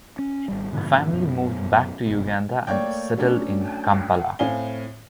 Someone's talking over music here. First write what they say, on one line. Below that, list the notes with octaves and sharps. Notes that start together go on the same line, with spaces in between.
Her family moved back to Uganda and settled in Kampala.
C#4
G#1 G3
G#2 B2 D3 F3
F#2 B2
F#1 B2
A3 A#3 C#5 D5 G5
F#3 A3 C#4 D4
A2 C4 F5 G#5 G7